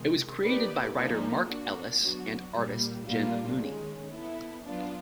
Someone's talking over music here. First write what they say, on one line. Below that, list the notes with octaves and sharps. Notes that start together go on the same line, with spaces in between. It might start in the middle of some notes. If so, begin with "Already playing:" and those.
It was created by writer Mark Ellis and artist Jim Mooney.
Already playing: C3 D#3 G#3
A#3 D#4 G4 B4 D5
A#2 F3 A#3 D#4
A#3 D4 F#4
F#3 B3 D4 F#4
A#2 G3 A#3
A#2 G3 A#3 D4 F4
D#3 G#3 C#4
B3 E4 A4
F#3 B3 D4 F4